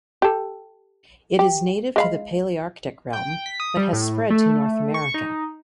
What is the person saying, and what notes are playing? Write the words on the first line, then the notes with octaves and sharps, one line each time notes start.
It is native to the Palearctic realm but has spread to North America.
G4 A4
G4
G#3 F5 B5
G5
B6
D#6
G3
A2
A3
C#6
D#4